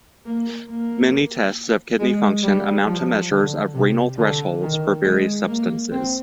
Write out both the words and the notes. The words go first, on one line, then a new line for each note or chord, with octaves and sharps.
Many tests of kidney function amount to measures of renal thresholds for various substances.
A#3
A#3
G#3
G3
F3
D3
C3
D3
D#3
G#3
A#3
C4